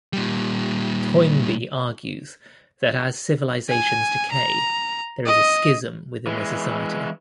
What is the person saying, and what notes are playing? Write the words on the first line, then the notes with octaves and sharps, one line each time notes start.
Toynbee argues that as civilizations decay, there is a "schism" within the society.
A#2 G3
G#5
A#5
D#5
E3 G#3